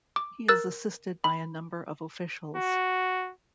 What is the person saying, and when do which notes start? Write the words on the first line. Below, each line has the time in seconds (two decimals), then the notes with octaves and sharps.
He is assisted by a number of officials.
0.16 D6
0.49 A#4 E6 F#6 A6
1.24 B5
2.57 F#4